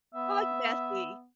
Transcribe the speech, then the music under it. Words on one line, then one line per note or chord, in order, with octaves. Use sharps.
So, like, messy
B3 E5